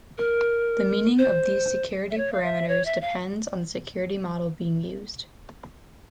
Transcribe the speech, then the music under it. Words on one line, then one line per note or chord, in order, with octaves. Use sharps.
The meaning of these security parameters depends on the security model being used.
A#4
C5
E5
C#5
F5
E5
C#5
E5
F5